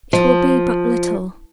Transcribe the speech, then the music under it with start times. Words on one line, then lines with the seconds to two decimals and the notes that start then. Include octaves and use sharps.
It will be but little.'
0.13 F3